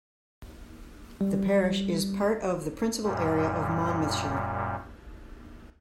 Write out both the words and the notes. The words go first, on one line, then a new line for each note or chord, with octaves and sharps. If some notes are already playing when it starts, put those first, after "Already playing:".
The parish is part of the principal area of Monmouthshire.
G3
F#2 A#2 G3